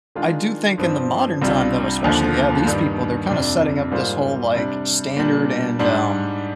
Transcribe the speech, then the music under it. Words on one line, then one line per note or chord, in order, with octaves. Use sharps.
I do think in the modern time, though, especially, yeah, these people, they're kinda setting up this whole, like, standard and, um,
D#3 G#3 D4 F4
G2 F3 C4
C2 C3 G3 D4 F4
D#2 D3 F3
G2 D#3 G3
F2 C3 G3 D4
G#2 G3 A#3 F4 C5
C3 G3 D4
A#2 G3 D4
G#2 G3 D4